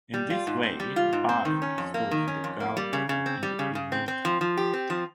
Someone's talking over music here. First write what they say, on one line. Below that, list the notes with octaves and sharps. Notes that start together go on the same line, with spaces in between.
In this way, bile is stored in the gallbladder in between meal times.
G3
F4
G#2
C4
G3
F4
G#2
C4
D#3
C#4
F2
A#3
D#3
C#4
F2
A#3
G3
C#3
C#3
C4
G3
C#3
C#3
C4
C4
F3
F3
G4
C4
F3